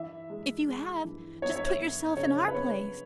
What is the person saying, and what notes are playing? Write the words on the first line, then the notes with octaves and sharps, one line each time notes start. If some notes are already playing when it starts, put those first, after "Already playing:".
If you have, just put yourself in our place.
Already playing: E3 E5
G#3
G#3
E3
B3 C#5
E5
C#5
B3
C#3 C#5
B4
B3 C#5